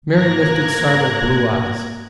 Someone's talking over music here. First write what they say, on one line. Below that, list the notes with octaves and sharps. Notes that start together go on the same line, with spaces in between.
Mary lifted startled blue eyes.
G#2 A#3 A#4 F#6 G#6 A#6